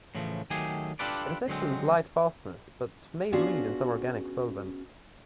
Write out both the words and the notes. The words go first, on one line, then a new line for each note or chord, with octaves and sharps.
It has excellent light fastness, but may bleed in some organic solvents.
A2 C#3 E3 F3
D#3 F#3 A3 G4 G#4 G#5
D4 F4 G4 A4 B4 D5
D3 F#3 G#3 C4
B3 C#4 D4 F4 F#4 G#4